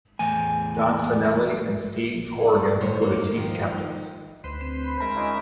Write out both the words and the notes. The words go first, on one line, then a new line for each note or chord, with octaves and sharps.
Don Fanelli and Steve Horrigan were the team captains.
E2 A2 G#5
G#4 D5
D#2 A2 C5 C#5
G#2 A#3 C5 C#5
D#3 F3 D#4
D2 B4 C5 C6
C4
B5
G#3 A#4 E5
C#4 D#4 F4